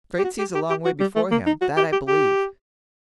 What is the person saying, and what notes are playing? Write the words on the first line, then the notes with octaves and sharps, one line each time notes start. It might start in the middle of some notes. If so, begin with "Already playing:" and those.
The Frate sees a long way before him; that I believe.
G4
F#4
G4
G4
G4
F#4
G3
A3
A#3
D#4
F#4
G4
G4
G4